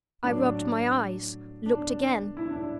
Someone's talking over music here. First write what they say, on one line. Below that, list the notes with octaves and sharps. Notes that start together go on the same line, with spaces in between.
I rubbed my eyes; looked again.
A2 F#3 D4
D4
E4
D4
E4